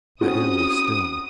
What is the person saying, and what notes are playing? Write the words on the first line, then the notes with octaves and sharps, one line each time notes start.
The air was still.
C4 C#4 F#4 D#6